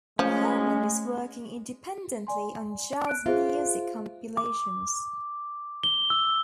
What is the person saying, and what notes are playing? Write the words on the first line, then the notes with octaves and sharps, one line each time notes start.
Kerman is working independently on jazz music compilations.
F3 G#3 A3 C#4
D5 G#5 C6
F#6 D7
F4 G#4 C5 E5
D6
G7
E6